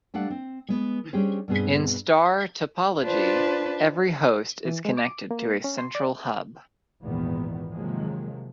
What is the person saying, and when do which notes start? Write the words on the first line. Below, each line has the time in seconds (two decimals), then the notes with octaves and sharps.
In star topology, every host is connected to a central hub.
0.14 G3 A3 D4 F5 F#5
0.30 C4
0.69 G#3 B3
1.13 G3 C#4 D4 G4 G#4 C5
1.48 G2 B2 B3 C4 G#4
3.04 D4 F4 B4 C5 A5
4.65 E3
4.85 G#3
4.97 D6
5.31 A#3
5.64 C#4
5.78 C6
5.95 D5
7.02 G#1 E2 A#2 D#3 B3
7.73 C3 D#3 F3 F#3 G#3 A#3